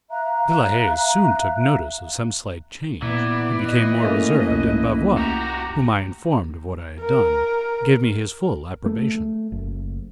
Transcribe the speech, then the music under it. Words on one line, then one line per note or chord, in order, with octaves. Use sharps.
De la Haye soon took notice of some slight change; he became more reserved, and Bavois, whom I informed of what I had done, gave me his full approbation.
E5 F5 A#5 F#6
A#2 E3 B3 D5
D#5
A3 A#3 C#4 D#5
C2 F2
F#4 G4 A#5
A#4
A3
F#1